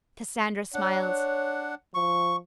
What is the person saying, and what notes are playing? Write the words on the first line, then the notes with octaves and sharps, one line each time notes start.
Cassandra smiled.
D4 C#5 F#5
F3 C#6